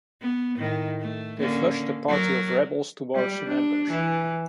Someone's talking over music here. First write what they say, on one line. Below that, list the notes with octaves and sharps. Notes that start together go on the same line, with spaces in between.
They flushed a party of rebels towards an ambush.
B3
A2 D#3
A3
D3 A#3 C#4
F#3 A#4
G3
D4
E3